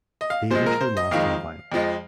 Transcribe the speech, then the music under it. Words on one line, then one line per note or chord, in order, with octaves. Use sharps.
They eventually lost in the finals.
D#5
F5
A#2 F3 G#3 C5
A#4
C5
D#5
F2 D#3 G#3 F5
F2 F3 G#3